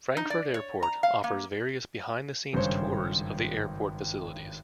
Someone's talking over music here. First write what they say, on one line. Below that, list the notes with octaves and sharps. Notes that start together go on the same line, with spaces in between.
Frankfurt Airport offers various behind-the-scenes tours of the airport facilities.
D#4
D5
C#5
A#5
F5
A#3
G#1 G2 C#3 C5 C#5